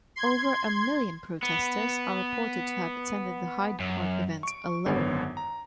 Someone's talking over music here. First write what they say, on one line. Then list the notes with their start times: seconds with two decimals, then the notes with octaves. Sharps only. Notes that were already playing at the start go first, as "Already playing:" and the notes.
Over a million protesters are reported to have attended the Hyde Park event alone.
0.16 C6 G#6
1.42 B3
3.80 F#2
4.43 C#6 D7
4.86 G#1 F#2 D3 B3 C#5
5.37 A#5